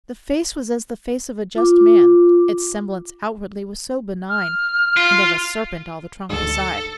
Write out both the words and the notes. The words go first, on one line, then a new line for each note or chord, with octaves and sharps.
The face was as the face of a just man, Its semblance outwardly was so benign, And of a serpent all the trunk beside.
F4 D6
F6
F4
D2 G#2 A4